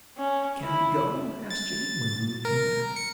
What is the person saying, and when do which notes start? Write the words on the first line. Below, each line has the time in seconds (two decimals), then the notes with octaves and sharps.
"Can we go?" asked Jimmie, when Lulu came back.
0.17 C#4
0.62 E4
1.50 A6
2.45 A#4
2.96 C#7